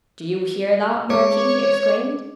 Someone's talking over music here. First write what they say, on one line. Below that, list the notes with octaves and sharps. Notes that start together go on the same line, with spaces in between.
"Do you hear that, Marquis?" he exclaimed.
G#3 C#5 D6